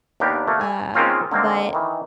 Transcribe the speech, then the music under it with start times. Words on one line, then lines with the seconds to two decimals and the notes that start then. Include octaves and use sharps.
uh, but
0.20 D#2 B3 D4 G4 A#4
0.47 A3 A#3
0.61 G#5
0.94 D#3 G#3 A#3 C4 C#4 F4
1.31 D3 D#3 A#3 C4
1.73 D#3 E3